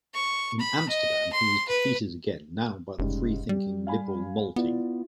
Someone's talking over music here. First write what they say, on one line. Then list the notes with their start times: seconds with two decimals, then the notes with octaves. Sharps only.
In Amsterdam he was defeated again, now by the freethinking liberal Nolting.
0.14 C#6
0.59 B5
0.89 D#5
1.32 C6
1.68 B4
2.99 F1 G#2 C#3 G3
3.49 G3 G4
3.87 F5 G#5 B5
4.56 B3 E4 F4 D5